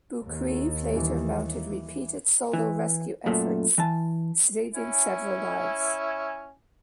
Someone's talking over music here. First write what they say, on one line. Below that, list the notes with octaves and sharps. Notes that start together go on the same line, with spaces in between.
Boukreev later mounted repeated solo rescue efforts, saving several lives.
D#2
E3 G3
E3
F#2 A#2 A3
E3 A5
C#4 E4 G#5